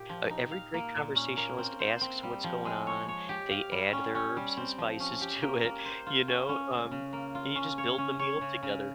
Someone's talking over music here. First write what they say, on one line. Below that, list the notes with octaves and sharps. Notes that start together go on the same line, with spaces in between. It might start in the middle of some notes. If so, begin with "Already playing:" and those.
uh, every great conversationalist asks what's going on. They add their herbs and spices to it, you know, um, and you just build the meal together.
Already playing: A#2 G4
F3
D#4
F5
A#3
A#2
C#4
A#3
C4
C5
C4
G3
F3
G#3
C#5
C#5
G4
F5
G3
C#4
C#4
G3
C4
F3
C#4
G4
A#3
A#3
C5
F4
C#4
C#4
C#3
C#3
A#3
F4
C#4
C#5
C#4
C#5
C#3
C#3